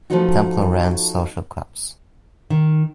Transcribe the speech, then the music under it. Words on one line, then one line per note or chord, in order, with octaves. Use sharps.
Templer ran social clubs.
F3 F#3 A3 B3 D#4 F#4
D#3